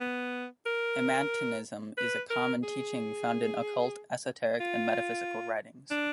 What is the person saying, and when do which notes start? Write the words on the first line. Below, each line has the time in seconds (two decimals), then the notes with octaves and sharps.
Emanationism is a common teaching found in occult, esoteric and metaphysical writings.
0.01 B3
0.66 A#4
1.98 B4
2.30 A#4
2.63 G#4
4.60 F4
5.91 D4